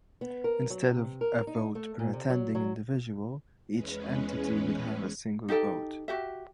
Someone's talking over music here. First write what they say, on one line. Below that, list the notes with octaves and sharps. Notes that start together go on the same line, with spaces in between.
Instead of a vote per attending individual, each entity would have a single vote.
B3
A#4
F#3
C3
A#4
D#4
A3
A#2
C3
F#3
F#3
E2 G#3 C#4 B4
D#4 G4 A4 G5
F#4 G4 E5